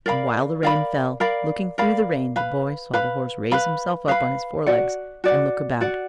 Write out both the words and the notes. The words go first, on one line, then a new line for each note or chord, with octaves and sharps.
And while the rain fell, looking through the rain, the boy saw the horse raise himself up on his forelegs and look about.
A#4 D5 F5 B5
A#4 D5 F5 B5
A#4 D5 F5 B5
A#4 D5 F5 B5
B4 F5 B5
B4 F5 B5
B4 F5 B5
B4 F5 B5
F#4 D5 F#5
F#4 D5 F#5
F#4 D5 F#5